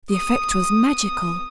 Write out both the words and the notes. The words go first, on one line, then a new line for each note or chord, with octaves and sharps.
The effect was magical.
D#6